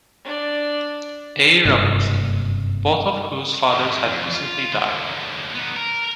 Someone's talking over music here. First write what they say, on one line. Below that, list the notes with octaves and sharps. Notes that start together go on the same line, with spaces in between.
A. Robertson, both of whose fathers had recently died.
D4 D5
F#1 G2 C3 A#3
A2 D#3
F2
F4
D#2 D3
B3 D#4
A#4